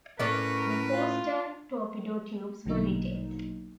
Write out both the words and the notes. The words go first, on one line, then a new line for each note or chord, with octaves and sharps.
The four stern torpedo tubes were retained.
A2 C#4 A#4 B4 D5
F4
A#1 B2 D3 F#3 A#3 D#4